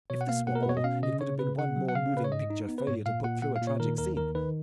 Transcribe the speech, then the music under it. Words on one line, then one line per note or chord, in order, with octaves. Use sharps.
If this were all, it would have been one more moving picture failure to put through a tragic scene.
B2 C#5
F#5
A#3 F5
B2 F#5
A#4
B4
B2 C#5
D#5
C#4 F5
C#3 D#5
C#3 C#5
C#3 B4
C#3 F#5
F#3
F#5
C#3 F5
C#3 B4
C#5
G#2 D#5
D#4
B3
B4
G#2 C#5
A#2 F5
A#2 F#5
A#2 F#5
F5
A#2
C#5
D#3 A#4
D#2 A#4
D#3 A#4
D#3 B4